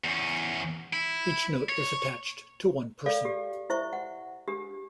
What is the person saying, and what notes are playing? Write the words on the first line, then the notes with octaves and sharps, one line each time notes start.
Each note is attached to one person.
E2 C#4
E4
C#5
A4 D5 F5
G4
E4 C5 E5 C#6
F#5
D4 G4